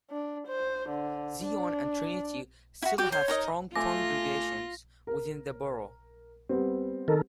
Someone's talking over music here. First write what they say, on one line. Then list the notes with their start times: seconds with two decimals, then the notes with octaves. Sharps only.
Zion and Trinity still have strong congregations within the Borough.
0.11 D4
0.47 C5
0.89 D3
1.44 D4
2.82 E4 F#4 E5
2.98 F#4 G4 G5 D6
3.12 C5 C#5
3.28 D#4 A#4 D#5
3.76 A3 F4 G#5 D6 A#6
5.07 A#4
6.49 G3 B3 C4
7.08 D#3 A4 A#4